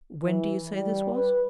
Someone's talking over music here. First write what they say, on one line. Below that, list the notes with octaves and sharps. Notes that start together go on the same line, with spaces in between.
"When do you say this was?"
E3
G3
B4